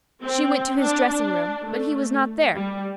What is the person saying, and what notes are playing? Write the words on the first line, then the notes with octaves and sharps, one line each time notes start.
She went to his dressing-room, but he was not there.
C4
D4
D4
A3
G3